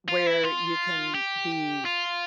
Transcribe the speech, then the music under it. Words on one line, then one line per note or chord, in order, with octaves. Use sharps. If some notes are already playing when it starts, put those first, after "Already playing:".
where you can be f
F4
E4
F4
G4
F4